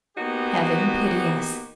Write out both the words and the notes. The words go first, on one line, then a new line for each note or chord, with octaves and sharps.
Heaven pity us!
A#3 B3 D#4 F#4 G4